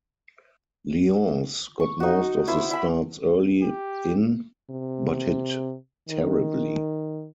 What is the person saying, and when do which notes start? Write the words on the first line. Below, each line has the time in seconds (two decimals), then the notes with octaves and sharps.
Lyons got most of the starts early in but hit terribly.
1.80 C#6
2.00 D#4 F#4
2.48 E4 C5
2.71 E4 E5 B5
3.62 G4
4.70 C3
6.09 D#3